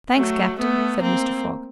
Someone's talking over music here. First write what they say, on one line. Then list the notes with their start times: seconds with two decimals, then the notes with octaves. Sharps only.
"Thanks, captain," said Mr. Fogg.
0.17 F#3 A3
0.59 A3 B3
1.02 A#3 C4